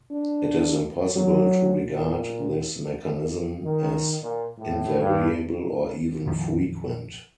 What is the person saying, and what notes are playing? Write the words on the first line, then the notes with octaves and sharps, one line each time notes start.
It is impossible to regard this mechanism as invariable or even frequent.
D4
F#3
A#2
D#3
A#2
A2
G2
A#1 F2 D#3 F3